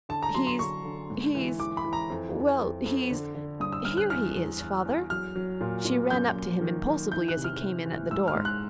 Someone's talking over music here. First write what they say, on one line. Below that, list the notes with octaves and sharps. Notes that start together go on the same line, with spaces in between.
"He's--he's--well, he's---- Here he is, Father." She ran up to him impulsively as he came in at the door.
D3 A5
A#5
F#3 C6
C6
D3 C#6
D3
G#2
E3
E3 D6
B5
E3
A#5
F2
F2
F2
F2
D3
D3
G2 D#6
E6
G2 F6
F#6
E2 F6
E2
E2
E2
F#3 F6
F#3
A#2
A#2
F#2 G6
F#2
D#3
D#3
E3 G6
F#6
C3
F6
C3
E3
G#2 E6
F6
G#2
F#6